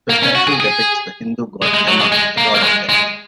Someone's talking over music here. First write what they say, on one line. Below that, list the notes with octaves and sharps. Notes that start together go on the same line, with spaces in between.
The statue depicts the Hindu god Yama, the god of death.
A#3
C#4
F#4
G#4
G#4
G#3
G#3
F#3
G#3
G#3
A#3
A#3
G#3
G#3